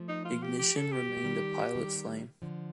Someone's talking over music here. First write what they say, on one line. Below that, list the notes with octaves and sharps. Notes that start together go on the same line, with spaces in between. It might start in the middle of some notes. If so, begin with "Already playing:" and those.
Ignition remained a pilot flame.
Already playing: F3 A3
D#4
F4
G4
G4
A4
G4
G3
A3
D#3 G3
D#3 G3
D3 F3